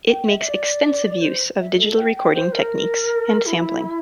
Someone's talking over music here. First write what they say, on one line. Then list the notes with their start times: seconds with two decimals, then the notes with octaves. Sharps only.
It makes extensive use of digital recording techniques and sampling.
0.08 G5
0.27 E5
0.39 E5
0.45 D5
1.21 C5
1.59 E5
1.77 A4
1.96 G5
2.15 G5
2.34 C5
2.53 A#4
3.46 E4